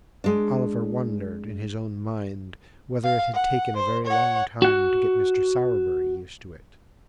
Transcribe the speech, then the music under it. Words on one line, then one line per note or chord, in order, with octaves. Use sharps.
Oliver wondered, in his own mind, whether it had taken a very long time to get Mr. Sowerberry used to it.
G#3 D4
F5
F#5
C5
C#5 F#5
F#4 F#5